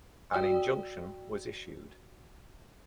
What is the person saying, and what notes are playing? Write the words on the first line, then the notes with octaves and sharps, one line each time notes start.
An injunction was issued.
F#4 D5 G5 D#6 E6